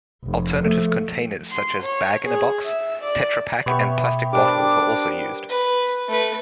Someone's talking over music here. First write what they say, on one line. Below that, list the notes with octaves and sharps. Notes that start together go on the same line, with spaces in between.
Alternative containers such as Bag-in-Box, TetraPak and plastic bottles are also used.
F1
F3 A3
C6
C#5
G#4
E5
D5
B2 B3 G4 C#5 E5 C#6
G3 D4 G4 A#4 C5 D6
B4
A3 B4